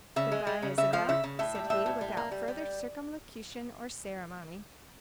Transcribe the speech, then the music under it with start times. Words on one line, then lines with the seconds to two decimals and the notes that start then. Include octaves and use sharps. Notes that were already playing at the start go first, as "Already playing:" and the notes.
"Good-bye, Isabel," said he, without further circumlocution or ceremony.
0.16 C#3 E5
0.32 G#3
0.47 G#3
0.62 C#3
0.78 C#3 E5
0.93 F3 F5
1.09 C#3 E5
1.24 C#3
1.39 A2 E5
1.55 G3
1.70 A2 E5
1.86 A2
2.01 G3
2.17 A#3
2.31 G3
2.48 G3